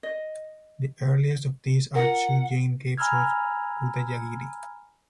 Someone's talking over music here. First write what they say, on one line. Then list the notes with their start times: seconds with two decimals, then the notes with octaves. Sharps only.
The earliest of these are two Jain caves of Udayagiri.
0.03 D#5
1.95 F4 A#4 F#5
2.97 G#5 A#5 B5 E6 F6 G#6